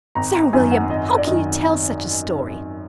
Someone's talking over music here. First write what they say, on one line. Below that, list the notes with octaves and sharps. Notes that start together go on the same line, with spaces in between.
Sir William, how can you tell such a story?
G#1 A#5
A#5
F#2 D#3 G#5
F#5
G#1 D#5
D5
F#2 D#3 D#5